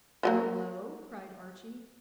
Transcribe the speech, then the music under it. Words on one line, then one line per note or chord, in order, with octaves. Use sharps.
"Hullo!" cried Archy.
F3 F#3 A#3